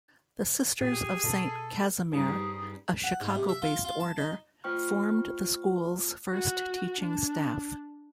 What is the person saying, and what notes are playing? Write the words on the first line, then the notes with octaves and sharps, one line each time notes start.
The Sisters of Saint Casimir, a Chicago-based Order, formed the school's first teaching staff.
A#2 G4 G#4
B2 A4
G2 G3 C#4 D#4 G#4 C5 A#5 D#6
F#5
G#2
C3
E5
F4
F4
A5
D#4
A3 F4 C5 G5 C#6 F6
F#4
D4